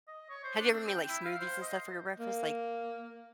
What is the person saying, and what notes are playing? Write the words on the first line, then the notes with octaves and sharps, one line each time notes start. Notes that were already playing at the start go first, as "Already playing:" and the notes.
Have you ever made, like, smoothies and stuff for your breakfast, like
D#5
C#5
C5
D4
C4
G5
E4
F5
C5
D#5
A#3